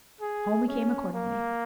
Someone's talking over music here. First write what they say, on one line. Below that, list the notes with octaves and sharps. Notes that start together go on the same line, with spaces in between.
Home we came accordingly.
G#4
C#4
A#3